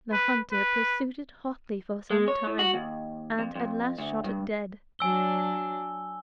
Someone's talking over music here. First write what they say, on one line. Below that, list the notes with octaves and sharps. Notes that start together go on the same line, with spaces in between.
The hunter pursued it hotly for some time, and at last shot it dead.
B4
B4
G#3
C#5
A2
F#4
D#2
F2
F2
D2
G2
F#3 D4 G#5 E6 G7